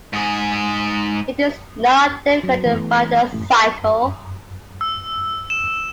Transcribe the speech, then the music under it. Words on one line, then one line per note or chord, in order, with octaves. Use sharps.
It is not difficult to find a cycle.
G#2 G#4
F#3
E3 A3 B3
A1 A2
E6
E7